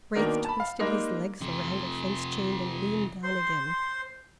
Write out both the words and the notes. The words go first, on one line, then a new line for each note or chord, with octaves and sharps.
Braith twisted his legs around a fence-chain and leaned down again.
B2 D#3 A#3 D4 A#4
A5 B5
F5
G3 G#3 A#3 D#4
C3 F3
C5 C6